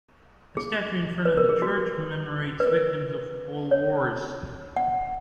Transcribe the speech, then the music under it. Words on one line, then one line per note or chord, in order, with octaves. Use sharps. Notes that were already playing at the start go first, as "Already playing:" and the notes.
A statue in front of the church commemorates victims of all wars.
G#4
B4
A#4
G#4
F#4
B4
A#4
C#5
F#5